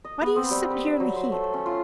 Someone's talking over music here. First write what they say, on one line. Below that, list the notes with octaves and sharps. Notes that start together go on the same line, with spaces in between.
Why do you sit here in the heat?
D#5
B3
C4
G3
B4
E5
F#3
C5
A3
C#4
F4